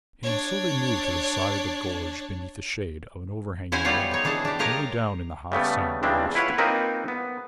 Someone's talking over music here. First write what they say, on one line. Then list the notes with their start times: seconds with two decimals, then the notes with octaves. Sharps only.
And so they moved to the side of the gorge beneath the shade of an overhanging rock and lay down in the hot sand to rest.
0.23 D4 C#5
3.72 C#4 E4 F#4 C5 G#5
3.85 G3 B3 F4 C5 C#5
4.11 D#4 C#5
4.24 D#3 E3 D4 G#4 A5
4.45 D4 G4
4.59 F4 G4 A#4 C#5 D#5
5.52 C#3 G3 A3 B3
6.03 C#3 E3 G3 G#3 C4 D4
6.35 E4 F4 B4 C#5 F#5
6.58 A#3 C4 D#4 F4 A#4 B4
7.08 B3